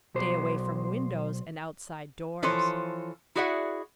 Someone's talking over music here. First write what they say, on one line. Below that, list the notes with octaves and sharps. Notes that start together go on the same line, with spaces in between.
Stay away from windows and outside doors.
B1 C5
E3 F3 A4 C5 C#5
E4 F#4 G#4 D5 E5 F#5